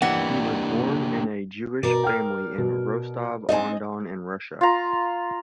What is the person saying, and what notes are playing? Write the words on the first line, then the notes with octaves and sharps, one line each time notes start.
He was born in a Jewish family in Rostov-on-Don in Russia.
E3 A#3 D4 G4 F#5
B2 A#4 D5
G5 F6
B2
C4 D4 D#4 D#5 G#5
F4 A#5